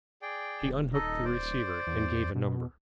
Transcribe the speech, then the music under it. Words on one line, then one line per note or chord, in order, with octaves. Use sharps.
She unhooked the receiver, and gave a number.
G#4 D5 G5
D#1
D#4 A4 D#5
C5 D5
E2
B2